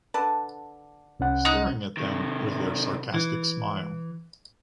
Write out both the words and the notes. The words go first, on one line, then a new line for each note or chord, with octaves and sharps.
Staring at them with their sarcastic smile.
D3 B4 A5
C2 C#4 F#5
D#4 F#6
C3 D#3
E3